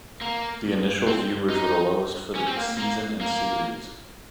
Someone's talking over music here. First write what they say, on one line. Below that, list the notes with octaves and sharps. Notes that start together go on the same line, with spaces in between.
The initial viewers were the lowest for the season and series.
A#3
C4
D#4
C#4
C4
A#3
A#3
A#3